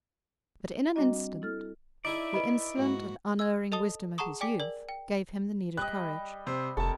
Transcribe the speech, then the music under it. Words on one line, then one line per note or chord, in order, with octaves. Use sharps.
But in an instant the insolent and unerring wisdom of his youth gave him the needed courage.
G3 C4 D4 F#4 D#5 A#5
E4 A4 F6
D#4 E4 G#4 D5 E5
B4 D#5 B5
G#2 A#3 F#4
E6 G#6
A4 D#5 A5 D#6 G7
G#4 F#5 A5 A#5 C#6 D#6
D5 G5 G#5 D6 B6
A#4 D5
G5
G3 D#5 F#6
C3 C5
F1 C3 A4 A#4 A5 C#6